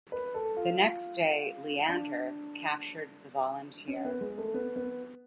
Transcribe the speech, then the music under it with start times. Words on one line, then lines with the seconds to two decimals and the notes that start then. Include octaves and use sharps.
The next day "Leander" captured the "Volunteer".
0.12 B4
0.34 A4
0.57 F4
1.88 D4
3.88 C#4
4.05 B3
4.21 G#3
4.38 A3
4.54 B3
4.76 B3